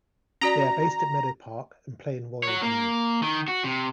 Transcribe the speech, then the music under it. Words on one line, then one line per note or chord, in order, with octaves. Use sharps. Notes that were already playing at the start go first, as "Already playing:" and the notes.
They are based at Meadow Park and play in royal blue.
C#4 F#4 D5 A#5
F#4 C#5
A#3
D#3
F#4
C3